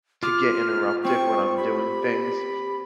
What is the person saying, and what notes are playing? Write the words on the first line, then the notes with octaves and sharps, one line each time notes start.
to get interrupted when I'm doing things,
F4 D6 F6
C4 G5 C#6
G4 B5